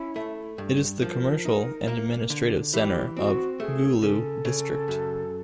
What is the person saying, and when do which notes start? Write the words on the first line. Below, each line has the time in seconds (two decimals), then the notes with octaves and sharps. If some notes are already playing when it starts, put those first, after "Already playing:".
It is the commercial and administrative centre of Gulu District.
Already playing: C#4 E4
0.16 A3
0.58 G2
1.02 F3 A#4
1.45 D#4
1.88 A#3
2.30 D3
2.73 E3 G4
3.17 C4 F#4
3.60 A3 G#4
4.02 C#3 A4
4.45 C#3
4.88 F#2